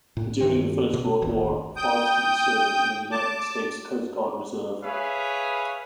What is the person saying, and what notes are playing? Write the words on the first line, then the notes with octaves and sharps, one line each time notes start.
During the First World War Farbstein served in the United States Coast Guard Reserve.
A2
G2 D#3 E3 C4
B2
E1 A1 D#2 E3
G5 D#6 G6
A5 D6
G#4 B4 C#5 E5 F5